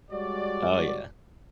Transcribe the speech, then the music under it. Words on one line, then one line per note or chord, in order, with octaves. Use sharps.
Oh, yeah.
G3 G#3 F#4 C#5 D5